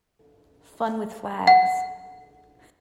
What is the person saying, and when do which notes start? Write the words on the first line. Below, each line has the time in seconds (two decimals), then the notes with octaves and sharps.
Fun with flags.
1.47 F#5